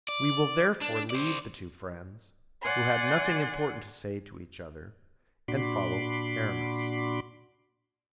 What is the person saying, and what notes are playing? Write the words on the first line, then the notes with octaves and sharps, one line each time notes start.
We will therefore leave the two friends, who had nothing important to say to each other, and follow Aramis.
D5
D4
C5 D5
D5 F#5 G#5 C6
A#2 D4 F#4 B5 C6 D6